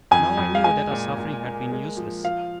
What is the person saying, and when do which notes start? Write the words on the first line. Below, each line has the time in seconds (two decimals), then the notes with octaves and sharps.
Now I knew that our suffering had been useless.
0.11 F2 G#5
0.37 F2
0.55 F5
0.64 G#3 G#5
0.91 A#2
1.18 A#2
1.44 A#3
1.71 G#3
1.97 F3
2.24 F3 F5